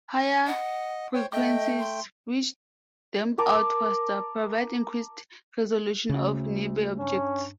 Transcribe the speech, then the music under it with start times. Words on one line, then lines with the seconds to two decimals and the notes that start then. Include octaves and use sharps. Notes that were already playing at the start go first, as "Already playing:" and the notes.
Higher frequencies, which damp out faster, provide increased resolution of nearby objects.
0.47 D#5 F#5
1.14 C5 C#5 G5
1.33 A3 D#5 G5
1.79 C6
3.38 A#4 A5 D6
6.09 D2 C#3
6.99 G2 C#4